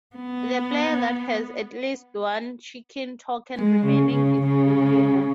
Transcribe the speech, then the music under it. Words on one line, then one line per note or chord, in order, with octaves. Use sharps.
The player that has at least one chicken token remaining is the winner.
B3
G#3
C#3
C#3
C#3